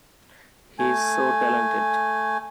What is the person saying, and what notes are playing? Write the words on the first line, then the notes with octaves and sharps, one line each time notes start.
He is so talented.
A3 G#5